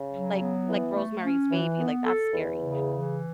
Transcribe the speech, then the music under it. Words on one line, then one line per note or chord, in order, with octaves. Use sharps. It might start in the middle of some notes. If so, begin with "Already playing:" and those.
like like, Rosemary's Baby, like, that's scary,
Already playing: C#3
F#3
B3
E3
A3
C#4
E3
B3
A4
E2
C#3
E3